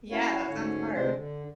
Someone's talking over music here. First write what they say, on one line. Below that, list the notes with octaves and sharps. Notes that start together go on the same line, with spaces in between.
Yeah, that sounds hard.
C#4 E4 F#4 C#5 F5
D2 G#2 D3 C#4 C#5
D2 C3 G#3 C4 D4 C5
D3